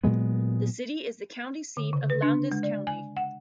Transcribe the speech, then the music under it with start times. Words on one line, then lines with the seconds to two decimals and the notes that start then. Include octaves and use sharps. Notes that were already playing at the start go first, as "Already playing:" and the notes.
The city is the county seat of Lowndes County.
0.04 A#2 F#3 G#3 B3
1.77 D3
1.93 C#3
2.10 B4
2.22 D4
2.52 G#3
2.63 D5
2.87 G#5
3.17 F#5